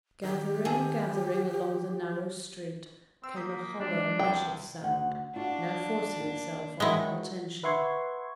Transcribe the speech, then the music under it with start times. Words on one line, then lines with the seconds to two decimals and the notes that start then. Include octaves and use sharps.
Gathering, gathering along the narrow street, came a hollow, measured sound; now forcing itself on their attention.
0.23 D#3 G4
0.65 D#3 G#4 A4
3.24 C4 E6
3.36 A#3 D#6 G6 B6
3.80 F#3 G#3 D4
4.19 C2 G5
4.81 D2 F#5
5.36 D4 F4 F#4
6.20 A#3
6.80 D#3 F#3 G#3 E4
7.64 B4 E5 F#5 C6 C#6 G#6